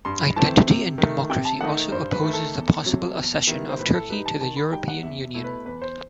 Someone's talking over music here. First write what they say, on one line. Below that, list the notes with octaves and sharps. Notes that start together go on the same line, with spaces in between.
Identity and Democracy also opposes the possible accession of Turkey to the European Union.
G2 C6
B5
E3 A3 C4 A5
C3
D#3 A3
C3 G5
A5
D#3 A3 D#4 F#5
G2 C5
B4
D#3 A3
A4
E2
C3 F#3
E2
D#3 G3 B3 E4
C5
A2 B4
A4
G3 D#4 B4
A5
D#3 A5
B5
G3 D#4 G5
F#5
E2 E5
B2 A3 E4
B4
E2 B4
C5